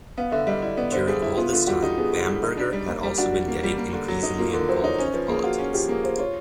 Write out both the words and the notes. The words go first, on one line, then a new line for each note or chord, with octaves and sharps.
During all this time, Bamberger had also been getting increasingly involved with politics.
B3 F5
D3 E5
G3 D#5
E4 D5
B3 D5
D3 C5
G3 G#4
E4 G#4
B3 F4
D3 F4
G3 F#4
D#4 G4
B3 G#4
D3
G3
D#4
D4
G3
A#3
G3
D4 F#4
G3
A#3
G3
A#3
D3
F#3
D#4
A#3 F4
D3 A#4
F#3 C5
D#4 C#5
C#4 C5
F3 B4
A#3 G#4
F4 F#4
C#4
F3 G4
A#3 G#4
F4 C5
F4 C#5